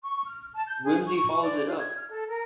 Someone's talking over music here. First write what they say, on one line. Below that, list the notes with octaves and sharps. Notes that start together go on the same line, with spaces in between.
Wimsey follows it up.
C#6
F6
A5
G6
G#4
C#6
D5
F4
G#6
F6
A4
A#4